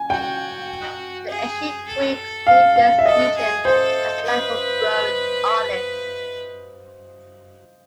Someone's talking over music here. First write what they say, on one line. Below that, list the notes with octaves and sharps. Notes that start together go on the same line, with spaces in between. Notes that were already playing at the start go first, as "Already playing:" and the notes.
The ancient Greeks knew this region as a land for growing olives.
Already playing: G#5
F#4 G5
G#4
A4
F5
F5
E5
A4 D#5
G#4
A4 C5
B4